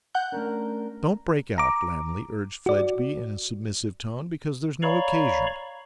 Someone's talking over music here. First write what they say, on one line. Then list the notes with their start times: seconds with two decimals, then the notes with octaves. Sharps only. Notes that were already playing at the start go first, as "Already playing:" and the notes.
'Don't break out, Lammle,' urged Fledgeby, in a submissive tone, 'because there's no occasion.
0.15 F#5 F#6 G6
0.32 A3 C#4 D4 A#4
1.58 A#5 D6
2.66 F#4 D5
4.82 C#5 D5 F5 A#5 B5 C#6